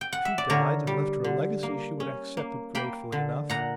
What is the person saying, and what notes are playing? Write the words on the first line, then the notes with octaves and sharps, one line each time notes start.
If he died and left her a legacy she would accept it gratefully enough.
G5
F#5
E5
D5
D3 A#4 C#5
G3
D3
A#3
C#4
A#3
A#3 G5 B5
D3
A#2 F#5 A#5